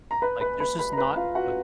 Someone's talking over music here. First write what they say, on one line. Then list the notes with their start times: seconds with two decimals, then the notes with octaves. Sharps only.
Like there's just not a
0.11 A#5
0.22 B4 B5
0.41 B4 B5
0.60 B4 B5
0.79 B4 B5
0.93 A#5
0.97 B4 B5
1.16 F4 F5
1.35 F#4 F#5